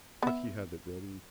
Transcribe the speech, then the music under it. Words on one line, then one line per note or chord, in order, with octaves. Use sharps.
But he had it ready.
B3 E5